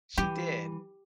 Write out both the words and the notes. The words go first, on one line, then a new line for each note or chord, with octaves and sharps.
She did.
E3 G3 G4